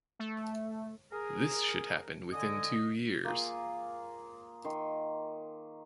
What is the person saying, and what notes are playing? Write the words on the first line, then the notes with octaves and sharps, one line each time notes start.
This should happen within two years.
A3
G#4 A#4
D3 D#5 G#5
A#3 F4 G#4
D#3 C6